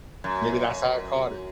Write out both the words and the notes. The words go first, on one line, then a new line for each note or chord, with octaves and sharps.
Maybe that's how I caught it.
F#2